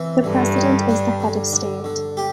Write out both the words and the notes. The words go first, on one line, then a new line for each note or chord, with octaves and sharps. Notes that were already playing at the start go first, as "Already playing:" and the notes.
The President is the head of state.
Already playing: E3 C4
G2 D3
G3
D4
D3
D3
D3
G4